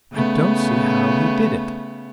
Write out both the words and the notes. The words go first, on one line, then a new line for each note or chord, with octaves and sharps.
"I don't see how he did it."
C#3 A3 B3